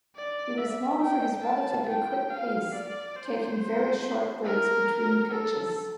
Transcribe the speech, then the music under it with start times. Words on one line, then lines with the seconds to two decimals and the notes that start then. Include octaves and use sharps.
He was known for his relatively quick pace, taking very short breaks between pitches.
0.16 D5
0.58 E5
1.01 G5
1.44 A5
1.88 G5
2.30 F5
2.74 D5
3.16 C5
4.45 A#4
5.31 A4